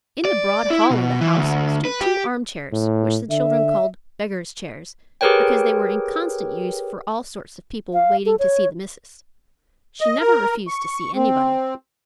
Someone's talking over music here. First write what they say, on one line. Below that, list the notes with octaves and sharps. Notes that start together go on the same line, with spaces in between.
In the broad hall of the house stood two armchairs, which the children called "beggars' chairs," because they were in constant use for all sorts of people, "waiting to see the missus." She never refused to see anybody.
D5
E4
B2
E3
D2
B4
G4
A2
D3 E5
G4 G#4 A#4 B4 C#5 G5
F5
A4
C#5
D#5
A#4
C#6
C4